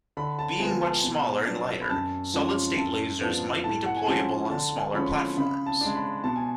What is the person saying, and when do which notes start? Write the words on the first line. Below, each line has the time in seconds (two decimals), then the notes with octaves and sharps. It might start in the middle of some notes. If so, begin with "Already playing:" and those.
Being much smaller and lighter, solid state lasers might be deployable on smaller platforms.
0.17 D3 B5
0.39 A5
0.60 F3 G#3 B3 G#5
0.82 A5
1.03 B2
1.46 F#3 B3 D4
1.81 B5
1.90 F#2 A5
2.34 F3 G#3 C#4
2.76 F#2 A5
3.21 F3 B3 D4
3.64 A2 A5
3.86 F#5
3.97 G#5
4.07 F3 G#3 C#4 A5
4.50 D3 A5
4.94 F3 G#3 C#4 B5
5.09 B5
5.37 C#3 B5
5.66 A5
5.81 G#3 D4
5.95 B5
6.24 B2 A5
6.36 G#5